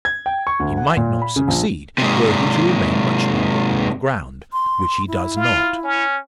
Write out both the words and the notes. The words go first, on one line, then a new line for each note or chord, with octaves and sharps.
He might not succeed were he to remain much longer on the ground--which he does not.
G#6
G5
C#6
D2
F#5
A#2
B5
C#3
A#1
G#2 C3
C6
E4
F4
C#4